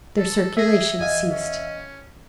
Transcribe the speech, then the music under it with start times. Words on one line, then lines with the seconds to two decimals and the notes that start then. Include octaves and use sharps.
There circulation ceased.
0.17 A4
0.57 G#4 E5 A#6
1.00 E2 D#5 F5 G#5
1.30 C#4